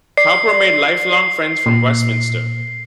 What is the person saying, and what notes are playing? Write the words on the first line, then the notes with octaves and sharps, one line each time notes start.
Cowper made lifelong friends from Westminster.
D5 C7
C7
A#2